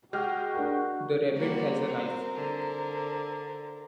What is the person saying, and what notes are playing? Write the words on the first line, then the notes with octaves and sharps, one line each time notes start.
The rabbit has a knife.
G#3 F#4 G4 F6
D4 A#4
G3 A#3 F#4 A#4 C5
C4
D3